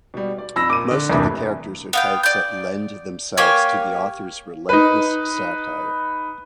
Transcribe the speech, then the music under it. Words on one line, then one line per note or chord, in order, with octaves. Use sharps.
Most of the characters are types that lend themselves to the author's relentless satire.
B2 G3
D5
F2 B5 E6 A#6
A#2 D6 D#7
D3
E2 G2 C3 A3 A#3
B3 F5 G5
D5 G6
A#3 G4 C#5 G#5
D#4 B4